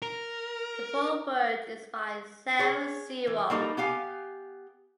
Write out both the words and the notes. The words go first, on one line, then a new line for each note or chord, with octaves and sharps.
The foreword is by Sarah Sewall.
A#4
G#4 C#5
E3
G3 A#3 D#4 A4
B3 G4 F5 G#5